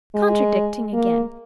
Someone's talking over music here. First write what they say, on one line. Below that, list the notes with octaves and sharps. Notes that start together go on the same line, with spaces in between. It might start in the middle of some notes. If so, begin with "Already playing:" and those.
Contradicting again!
G#3
A#3